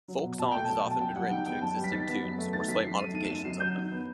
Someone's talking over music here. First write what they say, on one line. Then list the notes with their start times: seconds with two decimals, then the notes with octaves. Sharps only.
Folk song has often been written to existing tunes, or slight modifications of them.
0.08 F#3
0.23 B2
0.39 B2 A5
0.51 A3 G5
0.65 A5
0.70 F#3
0.85 B2
0.91 A5
1.00 F#2 G5
1.16 G3 F#5
1.31 D#3 G5
1.46 B3 G5
1.61 F#2 A5
1.77 G3
1.84 B6
1.92 D#3 A6
2.07 B3 B6
2.22 F#2
2.38 A3
2.53 D#3 A6
2.68 F#2 B6
2.84 F#2 C7
2.99 A3 D#7
3.14 D#3 D#7
3.24 E7
3.30 F#2 D#7
3.45 F#2 C7
3.60 F#3 G6
3.76 D#3
3.91 B3